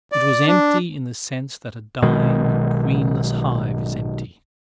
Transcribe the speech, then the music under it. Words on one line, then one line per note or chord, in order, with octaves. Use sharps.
It was empty in the sense that a dying queenless hive is empty.
D5
D4
B1 B2 D#3 G#3